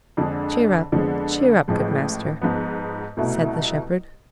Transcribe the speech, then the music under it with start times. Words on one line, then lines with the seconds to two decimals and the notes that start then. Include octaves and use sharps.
"Cheer up, cheer up, good master," said the shepherd.
0.17 F2 D3 G#3 D4 G#4
0.92 F2 D3 F3 G#3 B3
1.68 A1 A2 F3 G#3
2.42 G#2 F3 B3
3.17 C2 B2 A3 E4